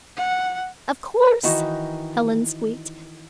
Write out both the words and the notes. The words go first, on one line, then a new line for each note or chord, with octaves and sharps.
"Of course," Helen squeaked.
F#5
D#3 E3 D#4 F#4